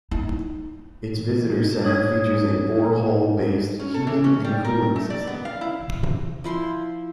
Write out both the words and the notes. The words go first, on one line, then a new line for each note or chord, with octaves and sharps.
Its visitor centre features a borehole-based heating and cooling system.
D#4
C#5 D#6 G#6
C#4
A4
E3
C#4
G3
A#4
A3
D5
B3
F5
E4
F3 E4 C6